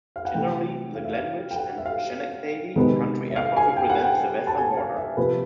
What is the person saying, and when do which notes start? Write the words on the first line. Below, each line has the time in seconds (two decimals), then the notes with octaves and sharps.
Generally, the Glenridge and Schenectady Country Airport represents the western border.
0.16 F5
0.25 F#5
0.34 C3 E3 A3 G5
0.95 F5
1.04 E5
1.13 F5
1.51 G5
1.56 F#5
1.78 E5
1.86 F5
2.76 C3 D#3 G#3 B3
3.30 E5
3.36 F5
3.57 G#5
3.77 G5
3.90 F#5
4.03 G5
4.47 A5
4.58 G#5
4.77 F5
4.97 E5
5.17 C3 F3 A#3 B4